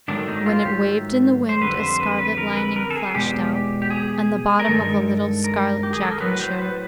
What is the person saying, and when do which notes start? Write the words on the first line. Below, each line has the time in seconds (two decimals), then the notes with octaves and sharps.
When it waved in the wind, a scarlet lining flashed out, and the bottom of a little scarlet jacket showed.
0.08 G#2 D#3 F#3 A3 D4
0.27 D#4
0.46 F4
0.65 G4
1.49 C5
1.61 F2 D3 G3 B4
1.80 C5
2.00 B4
2.19 B4
2.38 A#4
2.57 B4
2.76 A#4
2.90 A4
2.96 G#4
3.14 E2 B2 G#3 G4
3.82 G4
3.90 G#4
4.59 A#4
4.68 G2 D#3 G#3 A4
5.44 A#4
5.83 G4
5.93 G#4
6.02 A4
6.11 A#4
6.20 A2 F#3 A3 B4
6.32 B4
6.40 C5
6.59 B4